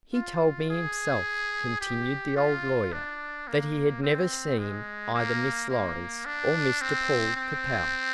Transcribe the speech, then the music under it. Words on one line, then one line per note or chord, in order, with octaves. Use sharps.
"He told me himself," continued the old lawyer, "that he had never seen either Miss Lawrence or Mr Paul Capel."
F4
G#4
G4
F4
D4
A#3
C4
G#3
A#3
A#3
D4
C4
C4